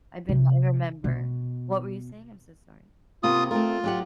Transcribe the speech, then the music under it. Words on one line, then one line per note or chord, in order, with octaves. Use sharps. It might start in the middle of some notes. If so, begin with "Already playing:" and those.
I've been I remember What were you saying? I'm so sorry.
C3
B2
C3 A#3 B3 F4 D#6
A3 C4 F4 A#4
F#3 G4 F#5